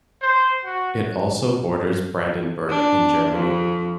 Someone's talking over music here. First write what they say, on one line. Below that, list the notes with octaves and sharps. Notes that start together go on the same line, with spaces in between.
It also borders Brandenburg in Germany.
C5
F#4
D4
F2